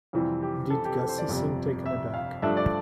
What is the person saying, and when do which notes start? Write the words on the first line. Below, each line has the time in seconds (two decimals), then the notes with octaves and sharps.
Did Gussie seem taken aback?
0.13 F2 C3 E3 G3 C4
0.42 G4
0.70 A4
0.85 G4
0.99 A4
1.09 C5
1.18 D5
1.28 G1 F2 C3
1.86 E5
2.14 F5
2.42 G2 F3 A3 D4 E5
2.57 D5